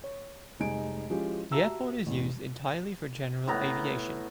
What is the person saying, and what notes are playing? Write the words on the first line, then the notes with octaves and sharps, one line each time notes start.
The airport is used entirely for general aviation.
C#5
F1 G3 G#3 D#4 G#5 D7
F3 G#3 C#4 E4 F4 G4
F#4 G4 E5 A5 A#5 E6
A1 E2
A2 B3 A#5 B5